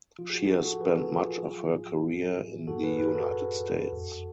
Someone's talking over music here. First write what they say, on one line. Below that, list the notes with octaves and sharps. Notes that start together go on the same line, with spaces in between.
She has spent much of her career in the United States.
F3 F4
G#4
F#4
G#4
A2 F#4 A4
F#4 A4
F3 G#4 B4
G#4
F#4 A4
F3 F4 G#4
F4 G#4
F#3
A2
F#3
A2
F#2 F#4 A4
G#4 B4
F#2 G#4 B4
F#4 A4
F#2
F#2
F2